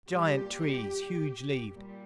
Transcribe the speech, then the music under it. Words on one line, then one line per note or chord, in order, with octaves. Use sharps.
Giant trees, huge-leaved.
A#2 G3 G4
A#2 G3